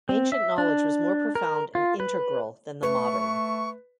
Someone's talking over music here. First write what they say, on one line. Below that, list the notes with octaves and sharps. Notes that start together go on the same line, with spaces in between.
Ancient knowledge was more profound and integral than the modern.
C4
E5
D4
A#4
F4
B4
A3 B4 C#6